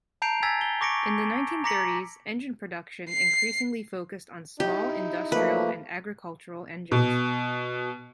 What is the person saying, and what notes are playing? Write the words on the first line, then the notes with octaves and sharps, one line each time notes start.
In the nineteen thirties engine production increasingly focused on small industrial and agricultural engines.
A5 A#5 G6 C7 D7 F7
G#5 E6 G#6 A6 B6
G7
C#6 D6 A#6 C#7 D7
A#5 D6 A#6 B6 C#7 F#7
C7
D#4 E4 G4
F3 A3 A#3 B4
B2